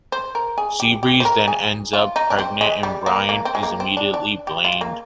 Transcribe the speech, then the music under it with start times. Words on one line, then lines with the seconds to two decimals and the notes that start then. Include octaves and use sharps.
Seabreeze then ends up pregnant, and Brian is immediately blamed.
0.12 C5
0.35 A#4
0.58 G#4
0.80 G4
1.03 G4
1.20 C5
1.25 A#4
1.48 G#4
1.93 F4
2.16 D#4
2.30 D4
2.38 C4
2.61 G#3
2.83 G3
3.06 A#3
3.29 A#3
3.45 C4
3.55 G#3
3.63 A#3
3.80 C4
3.97 D4
4.14 D4
4.47 G4
4.65 F4
4.81 A#3